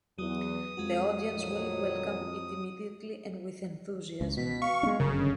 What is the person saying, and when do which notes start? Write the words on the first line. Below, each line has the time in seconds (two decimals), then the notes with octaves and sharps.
The audience will welcome it immediately and with enthusiasm.
0.19 E2 F#3 D#6
0.77 F2 G#3 F4 F#4
1.30 A#1 D#3 F#3
4.21 C#2
4.37 B2 B6
4.62 F5 C#6
4.83 G#3 B3 D4
5.00 G1 F#2 C#3 A#4
5.12 D3